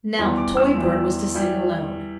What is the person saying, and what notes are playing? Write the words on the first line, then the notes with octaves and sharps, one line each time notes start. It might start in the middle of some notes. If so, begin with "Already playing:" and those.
Now the toy bird was to sing alone.
E2 E3 G3 C6
D6
E6
E2 E3 G3
E3 G3